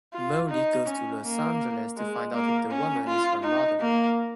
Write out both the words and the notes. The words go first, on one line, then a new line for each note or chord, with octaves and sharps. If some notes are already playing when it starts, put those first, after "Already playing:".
Molly goes to Los Angeles to find out if the woman is her mother.
F4
D#4
C#4
A#3
G#3
A#3
C#4
F4
D#4
A#3